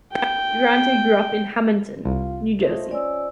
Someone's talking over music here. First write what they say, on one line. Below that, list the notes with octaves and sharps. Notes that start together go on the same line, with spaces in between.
Durante grew up in Hammonton, New Jersey.
G5
C2 F4
A3 F4 C5 D#5
C#4 D5 E6